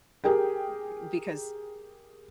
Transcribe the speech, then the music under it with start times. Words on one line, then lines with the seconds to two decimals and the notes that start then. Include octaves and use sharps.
Mm, because,
0.24 G4 G#4 A#4 G5